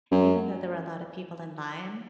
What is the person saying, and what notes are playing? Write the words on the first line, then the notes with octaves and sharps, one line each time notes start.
even though there were a lot of people in line,
F#2